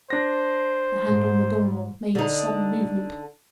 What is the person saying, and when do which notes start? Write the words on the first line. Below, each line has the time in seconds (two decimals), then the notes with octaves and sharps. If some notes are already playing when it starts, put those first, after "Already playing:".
The hand on the door-knob made a sudden movement.
0.10 D4 C5 A#6
1.07 G#2
2.15 D3 D#4